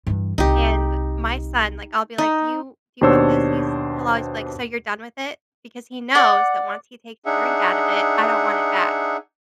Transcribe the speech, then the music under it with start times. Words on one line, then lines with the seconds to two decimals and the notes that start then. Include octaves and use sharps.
And, my son, like, I'll be like, "Do you do you want this? He's he'll always be like, "So you're done with it? Because he knows that once he takes the drink out of it, I don't want it back.
0.07 G2 E3
0.38 C2 D#4 G4
2.18 D#4
3.01 D#2 B2 D4 C5 C#5 E6
6.15 D5 F#5
7.26 D4 D#4 G#4 E5 F#5